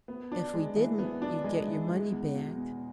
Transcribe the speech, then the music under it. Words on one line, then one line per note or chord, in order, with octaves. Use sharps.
"If we didn't you'd get your money back."
B3
D4
G#3
E3
B3
D4
G#3
E3
G#3
E2
B2
E2